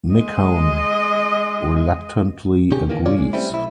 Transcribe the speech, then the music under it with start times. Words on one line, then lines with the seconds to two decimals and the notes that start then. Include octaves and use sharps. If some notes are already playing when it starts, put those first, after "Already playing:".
Michonne reluctantly agrees.
0.14 G#3 D#5
2.72 C3 C#4 G4 G#4
2.90 D#3 E3 A#3
3.06 A2 C3 F4 C#5 D5
3.18 G#3
3.33 G3 A3 C4 C#4 E4
3.50 B1 E4